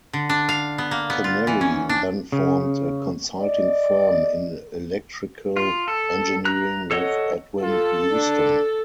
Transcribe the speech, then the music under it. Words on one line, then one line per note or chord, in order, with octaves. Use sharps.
Kennelly then formed a consulting firm in electrical engineering with Edwin Houston.
D3
D4
F5
B3
A#3
B3
F4
E3
C#4
D4
C#3
D5 D#5
F4
A4
A#5 F#6
A4 C#5 D#5 F#5
F4 A4
D4